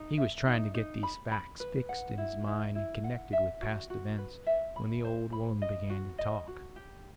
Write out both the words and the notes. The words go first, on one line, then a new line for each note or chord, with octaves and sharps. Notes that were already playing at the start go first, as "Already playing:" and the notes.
He was trying to get these facts fixed in his mind and connected with past events, when the old woman began to talk.
Already playing: D#4
E5
D#4
D#4
B5
B5
B4
F#5
E4
E4
E4
F#5
E5
F#4
F#4
B4
E5
B5
C5
B5
D#5
F#4
D#5
F#4
G4